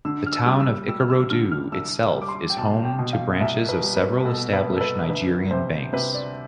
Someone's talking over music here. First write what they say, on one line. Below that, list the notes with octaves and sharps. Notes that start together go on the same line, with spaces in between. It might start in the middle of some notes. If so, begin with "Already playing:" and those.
The town of Ikorodu itself is home to branches of several established Nigerian banks.
D3 E6
F6
E6
G3
E6
G3 E6
F6
E6
D3 F6
F6
C2 E6
G3
D6
C6
G5
B2 A5
G5
B2
F5
C2 E5
B4
G3
B4
B2 A4
B4
C2
A4
B4
D2 B4
C3 C5
C3 B4
D5